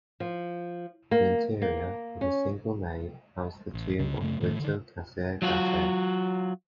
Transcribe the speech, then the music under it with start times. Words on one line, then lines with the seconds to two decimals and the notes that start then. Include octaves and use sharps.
The interior, with a single nave, houses the tomb of Ottavio Cesare Gaeta.
0.20 F3
1.11 A#3
1.62 A#3
2.21 C#4
3.74 A1
3.99 C#2 C#3
4.20 F#2 C#3 A3
4.40 A2 D#3 G3 A3
4.59 D3 D#3
5.42 F#3 F4 F#4